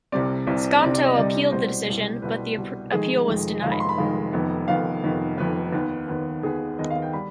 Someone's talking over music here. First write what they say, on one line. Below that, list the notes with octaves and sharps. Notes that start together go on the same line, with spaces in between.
Skonto appealed the decision, but the appeal was denied.
C2 C3 G3 C4 D5
C2 C3 G3 C4
C2 C3 G3 C4 D5
D5
D#5
C2 C3 G3 C4 D5
C2 B2 G3 C5
C2 B2 G3
C2 B2 G3 B4
C2 B2 G3
F1 F2 D#3 G#3 G#4
F1 F2 D#3 G#3
F1 F2 D#3 G#3 F5
B5
C6
B5
F1 F2 D#3 G#3 F5
F1 F2 D#3 B3
F1 F2 D#3 B3 F5
F1 F2 D#3 B3
F1 F2 D#3 B3 B4
D#2 D#3 B3
D#2 D#3 B3
D#2 D#3 B3 G#4
D#2 D#3 B3 D#5
F5
G5
G3 B5